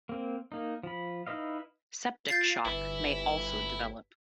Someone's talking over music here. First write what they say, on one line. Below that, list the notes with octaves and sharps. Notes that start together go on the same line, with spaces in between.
Septic shock may also develop.
A#3 C4
A#3 D#4
F3 B5
D#4 E4 B4 D#5 F5
F4 G6 A6 C7
G1 E3 E4